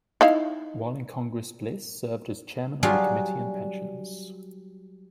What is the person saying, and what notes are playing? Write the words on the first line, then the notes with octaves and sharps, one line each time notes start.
While in Congress Bliss served as Chairman on the Committee on Pensions.
D#4 E4 F5
F#3 G3 D4 F4 G#4 F5